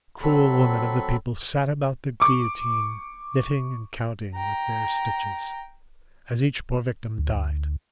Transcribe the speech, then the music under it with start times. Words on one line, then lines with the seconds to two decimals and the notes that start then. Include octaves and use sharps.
Cruel women of the people sat about the guillotine knitting and counting with their stitches, as each poor victim died.
0.23 F#3 C4 A4 B5
2.20 C#6 D6
4.36 G5 A#5
7.18 D2
7.34 D2